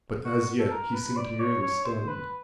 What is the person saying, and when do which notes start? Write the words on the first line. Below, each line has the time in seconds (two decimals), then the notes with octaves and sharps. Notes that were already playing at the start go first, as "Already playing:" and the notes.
But as yet he seemed merely stunned.
0.25 F#4
0.59 A4
0.71 A#4
0.94 B4
1.16 D5
1.39 C#5
1.62 C#5
1.84 C5
2.08 B4